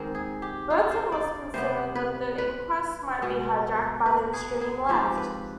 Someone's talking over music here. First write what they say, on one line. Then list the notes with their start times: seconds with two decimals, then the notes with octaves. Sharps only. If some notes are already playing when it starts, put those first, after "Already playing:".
Burton was concerned that the inquest might be hijacked by the "extreme left".
Already playing: G#2 D#3 G#3 C4
0.15 G#4
0.42 G4
0.70 F4
0.91 C5
1.12 D5
1.54 C3 G3 B3 C5
1.95 B4
2.38 B4
3.22 B2 G#3 B3
4.06 B4
4.33 G#4
4.61 G#4
4.89 G#2 F3 C4 G4
5.17 B4